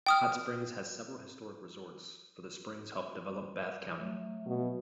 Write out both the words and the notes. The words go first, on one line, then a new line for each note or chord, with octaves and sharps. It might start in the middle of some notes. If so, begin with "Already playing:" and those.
Hot Springs has several historic resorts, for the springs helped develop Bath County.
G5 D#6 F6
F#3 A3
B2